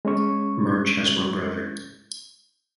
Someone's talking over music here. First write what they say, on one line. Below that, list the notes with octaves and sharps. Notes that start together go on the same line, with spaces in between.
March has one brother.
G#3 C#4 C#6